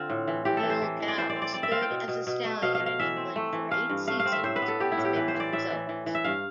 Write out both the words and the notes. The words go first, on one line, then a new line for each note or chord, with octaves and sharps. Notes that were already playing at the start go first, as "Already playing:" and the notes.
Neil Gow stood as a stallion in England for eight seasons with mixed results.
Already playing: D3 C4 F4
A2
E3
E3 G4
A4
E3
C5
E3
E3
D5
E3 C5
D5
C4
D5
C4 D5
E5
C4 F5
G5
B2
B2
B2
A3
B2 F5
F5
B2
F5
E3 E5
C4
A3
E3
A3 F5
G2
A3 F5
F5
C4
E5
A2 C5
B4
B3
A4
B3 G4
E4
A2
G4
E3 B4
C5
E3
D5
A2 E5
E3
E3
E3
E5
G2 F5